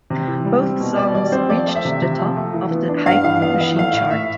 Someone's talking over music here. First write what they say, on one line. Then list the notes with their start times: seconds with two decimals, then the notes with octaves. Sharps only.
Both songs reached the top of the Hype Machine chart.
0.10 C3
0.27 E3
0.45 G3
0.62 C4
0.80 B2
0.97 B2 D5
1.15 G3 D5
1.32 C4 C5
1.49 F3 D5
1.67 A3
1.75 E5
1.85 C3
2.02 C3
2.19 F3
2.37 A3
2.54 E3
2.71 B3
2.89 D4
3.06 G2 F5
3.24 E3 F5
3.41 B3 F5
3.58 E3 F5
3.76 A3 F5
3.93 A2 F5
4.10 A2 E5